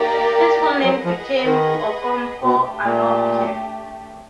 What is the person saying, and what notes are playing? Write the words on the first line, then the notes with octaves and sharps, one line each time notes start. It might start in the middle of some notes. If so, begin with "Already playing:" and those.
His full name became Okomfo Anokye.
Already playing: A#3 D#4 G4 A#4 D5
F#3 G#4 B4 D#5 F#5
F3
D#3
B2 A3 D4 G4
A#2